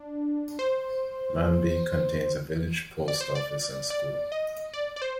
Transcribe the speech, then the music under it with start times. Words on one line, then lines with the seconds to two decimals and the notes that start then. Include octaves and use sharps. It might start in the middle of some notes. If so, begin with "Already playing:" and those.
Manby contains a village post office and school.
Already playing: D4
0.59 C5
3.08 D5
3.21 C5
3.35 D5
3.90 D5
4.32 D#5
4.74 D5
4.96 D5
5.02 C5